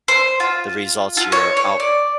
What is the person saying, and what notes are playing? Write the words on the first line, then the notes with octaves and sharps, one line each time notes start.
the results you're out
C5
F4
F4
C#5
C#5
D5